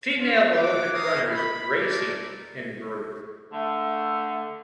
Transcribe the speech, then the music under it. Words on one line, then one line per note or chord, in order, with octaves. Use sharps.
Female Olympic runners racing in group.
F4
A#3 A#4 F#5 D6
A4 A#4 F5 G#5 A#5 D#6
B5
G#3 A3 A#4 D5
D3 A3